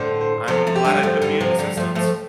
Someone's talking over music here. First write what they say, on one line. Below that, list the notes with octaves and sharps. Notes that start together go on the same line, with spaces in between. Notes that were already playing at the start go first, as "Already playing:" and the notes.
I'm glad I could be of assistance.
Already playing: A2 D3 C5
C5
C3 F3 A4
F3 A3
G4
D3 G3
F3 A3
D3 G3
C3 F3
D3 G3
F3 A3
F3 A3